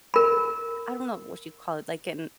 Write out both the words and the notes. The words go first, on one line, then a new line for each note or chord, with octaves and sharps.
I don't know what you call it, like in
A#4 B5